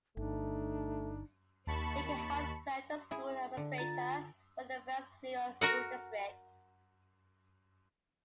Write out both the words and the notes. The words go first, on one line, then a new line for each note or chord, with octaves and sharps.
Vega has served a school administrator for the West New York School District.
G1 A3 D4 D#4
D#2 A5 B5 C#6 C#7
E4 G#4
D3
F4 A#5 A6
F#4 A#4 F#5